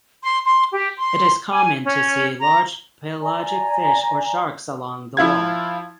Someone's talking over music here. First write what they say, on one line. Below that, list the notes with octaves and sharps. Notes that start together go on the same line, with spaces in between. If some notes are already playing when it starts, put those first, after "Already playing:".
It is common to see large pelagic fish or sharks along the wall.
C6
C6
G4
C6
G#5
C#4
A#5
D5 G#5 A#5
F3 E4 F4 G#6